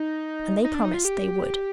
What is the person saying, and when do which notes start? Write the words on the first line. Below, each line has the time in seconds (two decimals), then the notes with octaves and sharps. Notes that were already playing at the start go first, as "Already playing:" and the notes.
And they promised they would.
Already playing: D#4
0.65 D#4
0.74 D4
0.85 D#4
0.94 F4
1.05 G4